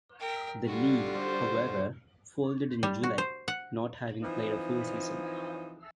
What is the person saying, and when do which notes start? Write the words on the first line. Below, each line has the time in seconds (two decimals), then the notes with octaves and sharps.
The league, however, folded in July, not having played a full season.
0.20 A#4 G5
0.66 D3 G3 F4 F#4
1.17 C5
2.83 G3
3.03 F#4
3.18 C5
3.48 F#5
4.22 E3 F3 C4 D#4